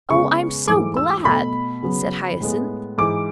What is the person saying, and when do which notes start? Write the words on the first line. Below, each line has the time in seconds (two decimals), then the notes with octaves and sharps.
"Oh, I'm so glad," said Hyacinth.
0.10 C#3 G#3 B3 C#6
0.68 G#2 E3 A3 D6
0.97 E6
1.25 B2 A3 B5
1.83 C#3 F#3 B3
2.41 A2 G#3 B3
2.98 G#2 E3 G#3 D6